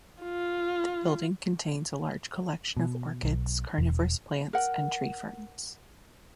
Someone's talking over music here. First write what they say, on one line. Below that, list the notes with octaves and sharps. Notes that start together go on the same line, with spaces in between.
The building contains a large collection of orchids, carnivorous plants and tree ferns.
F4
B2
B1
E1
A#4 F#5